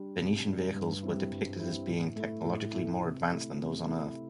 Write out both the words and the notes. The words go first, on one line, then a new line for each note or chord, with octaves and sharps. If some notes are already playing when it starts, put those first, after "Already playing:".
Venusian vehicles were depicted as being technologically more advanced than those of Earth.
Already playing: G3 D4
C3
G3 D4
G2
G3 C4 E4
G2
G3 C4 E4
A2
A3 E4
A2
A3 E4
C3
A3 E4
C3
A3 E4